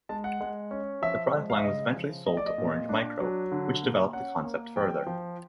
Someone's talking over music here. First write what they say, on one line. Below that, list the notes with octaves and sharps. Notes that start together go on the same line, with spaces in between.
The product line was eventually sold to Orange Micro, which developed the concept further.
G#3 A5
F#5
G#3
C#4
F3 E5
G#3
F5
E5
C#3 D#5
F3
A3 D#5
D5
D#5
A#2
D4
F#3
D3
A#3
C#4 F#5
A#3
F3 G5
F3